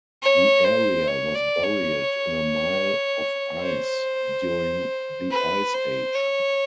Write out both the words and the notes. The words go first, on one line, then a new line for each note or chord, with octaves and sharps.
The area was buried in a mile of ice during the ice age.
C#5
C5
C#5
D5
C#5
C5
B4
C5
C#5